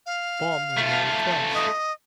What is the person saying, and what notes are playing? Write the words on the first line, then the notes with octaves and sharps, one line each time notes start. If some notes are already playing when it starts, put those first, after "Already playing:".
Baum was married twice.
F5
A3 F4
D#5